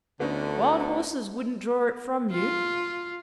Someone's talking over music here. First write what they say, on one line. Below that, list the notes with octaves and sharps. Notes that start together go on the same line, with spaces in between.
Wild horses wouldn't draw it from you?
D2 D3 B3 C#4 D#4
F4